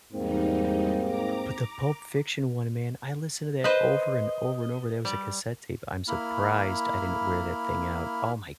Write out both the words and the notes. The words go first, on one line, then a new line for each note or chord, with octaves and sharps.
but the Pulp Fiction one, man, I listen to that over and over and over, that was a cassette tape, I'm surprised I didn't wear that thing out. Oh, my
E2 G#2 G3 A#3 C4 D#4
A#5 D6
B4 C5 D#5
G3
A#3 E4 B5 F6